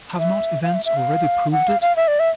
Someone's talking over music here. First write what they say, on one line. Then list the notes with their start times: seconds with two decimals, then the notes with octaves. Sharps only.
Have not events already proved it?
0.19 E5
0.63 F5
0.74 E5
0.85 E5
0.97 F5
1.52 F#5
1.68 F5
1.82 F5
1.96 E5
2.08 D5
2.20 E5